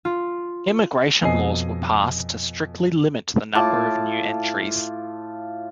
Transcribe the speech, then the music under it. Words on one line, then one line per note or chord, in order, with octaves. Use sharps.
Immigration laws were passed to strictly limit the number of new entries.
F4
F2 B2 D#5 G#5 C7
A2 F4 A5 D6